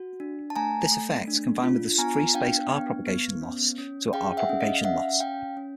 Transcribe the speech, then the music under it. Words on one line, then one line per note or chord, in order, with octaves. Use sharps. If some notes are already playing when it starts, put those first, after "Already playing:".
This effect, combined with the free-space r propagation loss to a r propagation loss.
Already playing: F#4
D4
A5
A3 G#5 A#5
A3
D4
F4
B3 G#5 A#5
D4 F5 G5
B3
B3
C#4
C#4
G#4 F5 G5
E5 F#5
C#4
D#5 F5
F5
C#4 E5 F#5
C#4 F5 G5
C#4